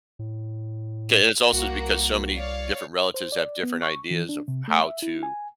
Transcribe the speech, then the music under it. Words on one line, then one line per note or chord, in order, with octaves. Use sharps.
and it's also because so many different relatives have different ideas of how to
A2
C2 A#3 F#4
C#5 D5 F5
C5
D5
B3
C#6
E3
D4
C3
A3
E5
E4
G#5